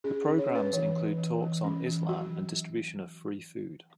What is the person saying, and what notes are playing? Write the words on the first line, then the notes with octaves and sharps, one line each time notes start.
The programs include talks on Islam and distribution of free food.
C#4 G#4
C#4
C#5
C#4 B4
E3 C#5
E3
E3
E3
C#4
E3
F#3 F#4